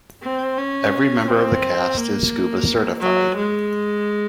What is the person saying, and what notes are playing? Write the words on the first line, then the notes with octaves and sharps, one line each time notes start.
Every member of the cast is scuba-certified.
C4
C#4
C4
A#3
F#3
G#3